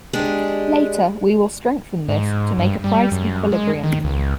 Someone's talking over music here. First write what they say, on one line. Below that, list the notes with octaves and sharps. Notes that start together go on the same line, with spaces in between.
Later we will strengthen this to make a price equilibrium.
G#3 D4 G4 G#4
G#2
G2
G3
F#2
G#3
D#3
C#2